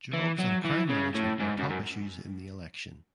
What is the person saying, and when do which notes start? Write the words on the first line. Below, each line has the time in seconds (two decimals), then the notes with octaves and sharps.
Jobs and crime management were top issues in the election.
0.13 E3
0.39 F#3
0.64 E3
0.89 C#3
1.14 A2
1.40 G#2
1.59 F#2
1.70 F#2